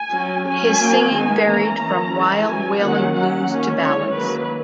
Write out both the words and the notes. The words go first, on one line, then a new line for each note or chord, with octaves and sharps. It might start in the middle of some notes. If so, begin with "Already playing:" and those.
His singing varied from wild wailing blues to ballads.
Already playing: G#5
F#3 C#4
F#3 C#4 G#5
F#3 A#3 C#4
D#3 G#3 B3 G#5
E3 A#3 C#4 A#5
E3 A#3 C#4
E3 G#3 C#4
F#3 C#4 G#5
D#3 F#3 A#3 C#4 F#5
F#3 A#3 C#4 F#5
D#3 A#3 C#4
E3 G#3 C#4 C#5
D#3 F#3 A#3 B4